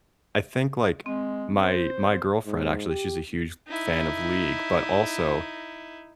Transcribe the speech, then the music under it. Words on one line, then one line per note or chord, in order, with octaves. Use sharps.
I think, like, my my girlfriend, actually, she's a huge fan of League, but also
G#3 C4
C5
G#2
G4
D#4 E4